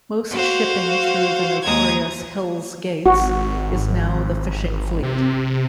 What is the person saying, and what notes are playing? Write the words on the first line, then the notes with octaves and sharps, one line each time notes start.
Most shipping through the notorious Hells Gates is now the fishing fleet.
F#4 C5 F5
D#2 G#3 A#5 D#6 G#6
G#1 F#4
C3